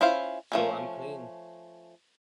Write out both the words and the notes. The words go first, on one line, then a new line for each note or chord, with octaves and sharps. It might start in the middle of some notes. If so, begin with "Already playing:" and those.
So I'm clean.
C#4 E4 F4 C5 F5
F3 A3 C#4